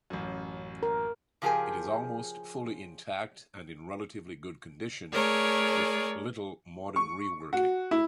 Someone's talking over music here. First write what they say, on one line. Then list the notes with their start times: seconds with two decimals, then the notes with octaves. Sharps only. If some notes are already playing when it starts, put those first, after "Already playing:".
It is almost fully intact and in relatively good condition with little modern reworking.
0.10 A1 F#2
0.83 A#4
1.42 C#3 F3 G4 G#4 A#4 G#5
5.13 A3 G#4 A#4 C#5 D5
6.96 C#6
7.53 F#4
7.91 E4